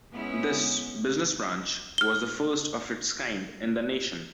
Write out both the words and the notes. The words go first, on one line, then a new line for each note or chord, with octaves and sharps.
This "Business Branch" was the first of its kind in the nation.
G#3 B3 C#4 E4
F6 G7